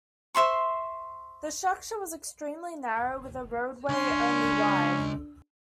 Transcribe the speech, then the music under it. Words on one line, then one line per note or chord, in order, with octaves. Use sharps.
The structure was extremely narrow, with a roadway only wide.
C5 E5 C6 C#6
C#2 C#4 D4 C6